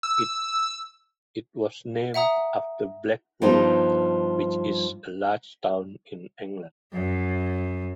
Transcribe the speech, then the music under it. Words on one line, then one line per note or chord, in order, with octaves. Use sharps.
It was named after Blackpool, which is a large town in England.
E6
E5 F#5 A#5 D#6
G2 F3 G3 B3 D#4
F#2